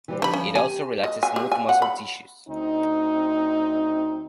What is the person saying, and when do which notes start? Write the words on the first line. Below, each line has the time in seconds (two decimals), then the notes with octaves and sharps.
It also relaxes smooth muscle tissues.
0.08 E3 G3 C5
0.22 D3 F3 G3 B5
0.33 C#4
0.55 G4 G#5
1.04 D#5
1.23 G#5
1.36 G4
1.52 G#5
1.69 F#5
1.82 B5
2.49 D2 C4 D#4